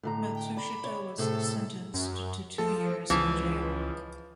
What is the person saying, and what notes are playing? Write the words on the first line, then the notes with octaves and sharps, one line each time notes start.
Matsushita was sentenced to two years in jail.
A2 D3 A#5
G5
D5 B5
C#5 D5
A2 C3 G#4 A4
F#2
F3 A4
C#2 E3 F3